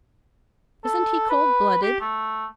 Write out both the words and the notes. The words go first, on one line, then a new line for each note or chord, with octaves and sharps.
Isn't he cold-blooded?
A4
B4
G4
A3